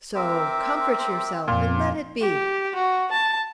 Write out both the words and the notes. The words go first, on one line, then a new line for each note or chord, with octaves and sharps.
So comfort yourself, and let it be!
C4 A#4 E5 D6
F2 A#2
G4
F#4
A5